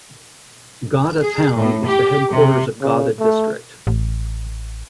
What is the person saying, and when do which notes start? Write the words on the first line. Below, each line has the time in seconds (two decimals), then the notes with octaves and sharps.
Godda town is the headquarters of Godda district.
1.21 G#4
1.55 A2
1.87 G4
2.31 C3
2.81 C#3
3.19 A3
3.87 A1